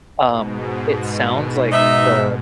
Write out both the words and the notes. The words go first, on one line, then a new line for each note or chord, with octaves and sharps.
um, it sounds like, the
G#2 B2
D#4 E5